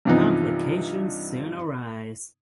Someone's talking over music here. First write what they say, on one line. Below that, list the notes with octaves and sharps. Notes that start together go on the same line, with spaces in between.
Complications soon arise.
G2 C3 E3 F3 B3 D#4